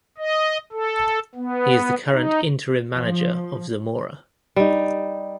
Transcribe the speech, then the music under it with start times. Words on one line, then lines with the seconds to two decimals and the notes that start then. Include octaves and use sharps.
He is the current interim manager of Zamora.
0.18 D#5
0.72 A4
1.35 B3
2.13 D#4
2.94 F3
4.56 G3 D#4